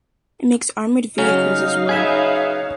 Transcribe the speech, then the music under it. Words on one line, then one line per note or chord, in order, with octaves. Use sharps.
It makes armoured vehicles as well.
C#3 F#3 C#4 D#4 F5 F6
G#4 B4 C#5 E5